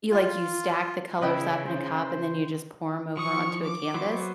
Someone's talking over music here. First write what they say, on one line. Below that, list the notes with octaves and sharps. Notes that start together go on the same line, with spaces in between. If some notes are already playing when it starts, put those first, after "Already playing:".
you like you stack the colors up in a cup, and then you just pour 'em over onto a canvas.
F4
C#3 E4 B4 D#5 G5
C5
F3 C#6 D#6 C#7
D6
F#3 B3 C5